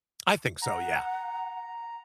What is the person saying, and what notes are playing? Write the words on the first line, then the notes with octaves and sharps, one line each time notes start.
I think so, yeah.
F#5 A#5